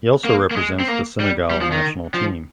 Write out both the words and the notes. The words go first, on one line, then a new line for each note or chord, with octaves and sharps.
He also represents the Senegal national team.
A#3
A#3
G#3
C4
A#3
G3
G3
F3
D#3
F3